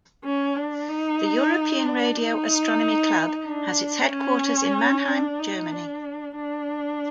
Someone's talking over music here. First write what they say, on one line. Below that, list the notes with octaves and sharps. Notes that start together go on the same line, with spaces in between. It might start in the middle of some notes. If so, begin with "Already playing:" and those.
The European Radio Astronomy Club has its headquarters in Mannheim, Germany.
C#4
D4
D#4
D4
D#4
D4
C#4
D4
D#4
D4
D4